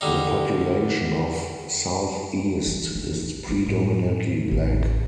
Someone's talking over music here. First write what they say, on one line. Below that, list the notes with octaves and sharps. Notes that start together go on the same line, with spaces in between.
The population of Southeast is predominantly black.
D3 G3 D#4
E3
E3
A#1
E3 F4
A2
A1